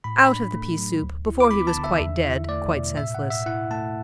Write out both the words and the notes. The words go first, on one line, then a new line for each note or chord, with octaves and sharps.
Out of the pea-soup before he was quite dead, quite senseless.
A2 B5
B5
D4
A3
F#3
D2
E4
D6
B3 B5
A5
D3
E5
E2
E4
A3 D5
B2
A2 E5
F#5
A2
E5
E4 F#5
A3 A5